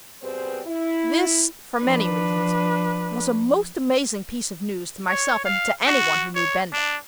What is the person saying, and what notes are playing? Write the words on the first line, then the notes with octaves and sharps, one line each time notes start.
This, for many reasons, was a most amazing piece of news to myself and to anyone who knew Benda.
B2 G3 C4 G#4 B4 C5
E4
F3 D4 B4
C#5
F5
F#4
C#5
D4